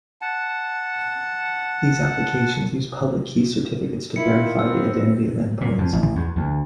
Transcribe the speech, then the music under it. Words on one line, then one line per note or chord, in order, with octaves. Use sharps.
These applications use public key certificates to verify the identity of endpoints.
F#5 A5
D#3 E4 F4 C#7
B3 C4 E6
A#2
F2
A1
E2
D2